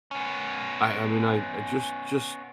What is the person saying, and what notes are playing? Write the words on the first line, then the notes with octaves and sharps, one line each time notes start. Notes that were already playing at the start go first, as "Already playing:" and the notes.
I I mean, I I just just
B3 C#4